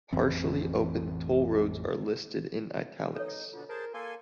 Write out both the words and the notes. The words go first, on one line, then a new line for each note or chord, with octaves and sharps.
Partially opened toll roads are listed in "italics".
A1 F2 E3 C4
D#4 A4 B4 C#5
B2 D3 F4
G#4 A#4 C5 A5
A#3 A4 G#5 C6